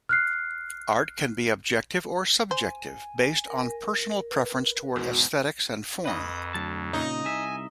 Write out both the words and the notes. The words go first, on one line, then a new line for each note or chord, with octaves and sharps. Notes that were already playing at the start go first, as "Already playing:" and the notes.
Art can be objective or subjective based on personal preference toward aesthetics and form.
F6 F#6 C7
C5 G#5
A#4
B4
E2 G#2 B2 F#4
F2 B4 D#5
D2 F#3 A5
A#2 C#3 D#4
C2 E5 G#5